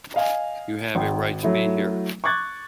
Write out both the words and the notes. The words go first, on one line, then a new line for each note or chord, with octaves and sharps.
You have a right to be here.
D#5 F5 G#5
G#1 G5
F#3 A3 E4
C#6 D6 F#6 G#6 A6